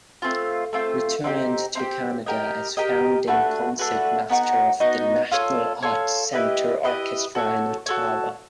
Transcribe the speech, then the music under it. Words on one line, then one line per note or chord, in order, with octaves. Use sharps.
Returned to Canada as founding Concertmaster of the National Arts Centre Orchestra in Ottawa.
A3 C4 F4
A3 C4 F4
C4 D#4 G4
C4 D#4 G4
G4 A#4 D#5 G5
G4 A#4 D#5 G5
A3 D4 F#4 B4
A3 D4 F#4 B4
B3 D#4 F#4
B3 D#4 F#4
F4 A4 C#5
F4 A4 C#5
E4 G4 B4 D#5
E4 G4 B4 D#5
F#4 A4 C#5
F#4 A4 C#5